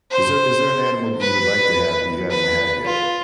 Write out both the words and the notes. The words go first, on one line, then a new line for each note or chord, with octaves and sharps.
is there is there an animal that you would like to have that you haven't had yet?
C5
B4
B4
F4